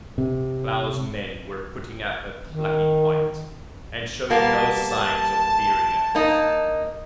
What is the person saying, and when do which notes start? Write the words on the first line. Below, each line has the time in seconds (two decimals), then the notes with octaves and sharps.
Klow's men were putting up a plucky fight, and showing no signs of fearing us.
0.18 C3
2.48 D#3
4.30 G3 A#3 B3 A5
6.15 A#3 D#4